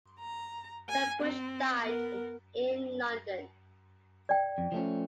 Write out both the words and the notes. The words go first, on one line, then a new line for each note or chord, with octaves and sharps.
Pepusch died in London.
A#5
G#5
C4
B3 A#4
D5 G5
F2
F3 A3 C#4